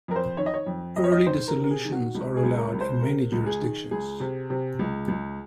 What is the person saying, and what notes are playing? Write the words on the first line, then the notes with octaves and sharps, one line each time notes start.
Early dissolutions are allowed in many jurisdictions.
F2 A#4
C5
D#3 C#5
D#5
C#5
F2
F2 D#5
C#5
D#5
D#3 C5
A#4
C3
A#4
G#4
D#3
F#4
C#2
G#4
C#2
A#4
C#2
C5
C3 A#4
C#2
G#4
D#3
C#2 G#4
C3
C3
C#2
C#2